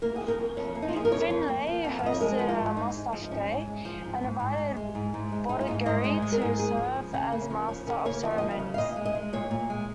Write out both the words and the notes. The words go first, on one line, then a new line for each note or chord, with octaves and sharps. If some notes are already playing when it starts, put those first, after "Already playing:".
Finley hosted a "mustache day", and invited Bordagaray to serve as master of ceremonies.
A#3 A#4
F3 G#4
A#4
F2
F2 C#5
A#3
D#4
F4
F3 G#4
A#4
F2 C#5
F2
A#3
F3
F2
F5
F2 D#5
C#5
G#3 A#4
F3
F4
G#2
G#2 D#4
G#3
F3
D#4
G#2 C#4
G#2
G#3
F3
G#2
G#2
G#2
G#3
G#3
G#2
G#2
G#3
G#3 D#4
F4
G#2 D#4
G#2 D#5
G#3 D#5
G#3
A#4
G#2
A#3 G#4
F3
C#3
C#3 C#4
A#3
C#4
F3
C#3 C#5
C#3 A#4
A#3 C#5
F3 D#5
F5
D#5
C#3
F5
C#3
F5
A#2 D#5
G#3
D#5
G#3
A#2 C#5
A#2
G#3